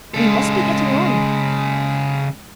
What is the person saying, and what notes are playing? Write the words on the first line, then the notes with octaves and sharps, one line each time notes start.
We must be getting on.
C#3 G#3 A4